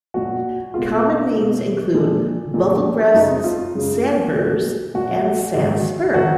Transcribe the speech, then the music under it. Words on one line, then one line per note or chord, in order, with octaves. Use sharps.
Common names include buffelgrasses, sandburs, and sand spur.
A#2 F#3 F#4
B2 G#3 F4
B2 G#3
A#2 F3 G#3
A#2 F3 G#3
F#2 C#3 G#3 D#4
F4
F#2 C#3 G#3
A#2 F#3
A#2 F#3 F#4
G#2 D#3 F#3
D#3 F#3 F#4